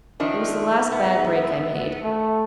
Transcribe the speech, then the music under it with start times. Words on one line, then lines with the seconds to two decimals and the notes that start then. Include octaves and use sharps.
It was the last bad break I made.
0.20 D#3 F3 D4 E5
0.92 G#2 B3
2.02 A3